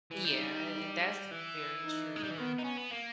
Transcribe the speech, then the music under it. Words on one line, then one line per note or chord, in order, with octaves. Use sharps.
Yeah. And and that's very true.
E3
G3 D#4
E3
D#4
G#3
G3
E3
D#3 B3
D#4
C#4
B3
A#3